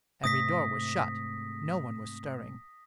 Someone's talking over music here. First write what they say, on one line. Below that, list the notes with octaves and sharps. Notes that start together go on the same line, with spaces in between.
Every door was shut, no one was stirring.
G#2 C3 A3 D#6 A#6 B6